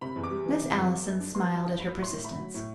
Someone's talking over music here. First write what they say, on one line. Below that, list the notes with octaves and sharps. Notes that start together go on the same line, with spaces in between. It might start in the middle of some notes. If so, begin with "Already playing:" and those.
Miss Allison smiled at her persistence.
C3 B5
E2
D6
G3
E3
C3
E2
F#3
F#2
D4
B3 C6
F#3
A5
F#2
F#3 B5
A2
C6
A2
A3 B5
F#3
A2